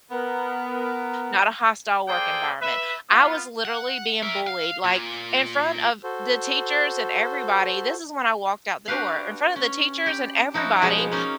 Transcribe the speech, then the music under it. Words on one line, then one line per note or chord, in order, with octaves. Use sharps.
not a hostile work environment. I was literally being bullied, like, in front of the teachers and everybody- this is when I walked out the door. In front of the teachers and everybody,
B3 A#4
A#3 G#4 A4 C5 D5 G5
B4 E5
B3 F4
F#5
A#4 E5
F5
A#2
F#4 A4 C5
D4 F#4 G4 B4 F5
C#4
G4 B5
F3 D#4 E4 F#4
B2 F3 G#3 B3
A#3 C#4 D#4